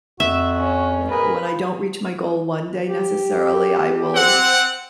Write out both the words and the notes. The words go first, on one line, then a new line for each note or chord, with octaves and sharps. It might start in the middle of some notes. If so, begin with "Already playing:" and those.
you know, when I don't reach my goal one day necessarily, I will
F2 F#4 E5
C#4
G#4 A#4 B4
G4
C4 F#5